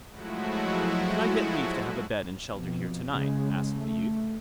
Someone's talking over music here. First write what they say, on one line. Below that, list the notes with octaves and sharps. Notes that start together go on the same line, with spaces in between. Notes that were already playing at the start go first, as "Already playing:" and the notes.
'Can I get leave to have a bed and shelter here to-night?' asked the youth.
F3 F#3 G#3 A3 E4 F#4
F2 B2
C#3 G#3
A3